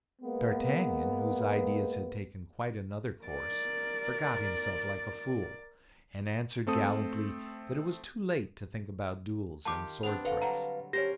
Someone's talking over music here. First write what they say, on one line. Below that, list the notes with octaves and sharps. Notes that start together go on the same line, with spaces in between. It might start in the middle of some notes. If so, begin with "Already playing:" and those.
But d'Artagnan, whose ideas had taken quite another course, forgot himself like a fool, and answered gallantly that it was too late to think about duels and sword thrusts.
G#3 A#3 B3
A#4 D5
A3 C4 A4 D#6
D#3 F4 G4 A5 D6
B3 C4 D4 F7
D3 A4 B4 F5 A#5
F#3 G3 A#5
C#4 G4 A#4 C5 C#5 A#6